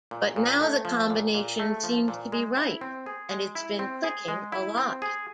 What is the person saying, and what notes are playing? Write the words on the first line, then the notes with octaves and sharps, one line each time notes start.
But now the combination seems to be right and it's been clicking a lot.
A#2
A#2
A3
F3
A#2
A#2
A3
F3
A#2
G#3
E4
C4
G#4
G#3
E4
C4
G#4
G#3
E4
C4
G#4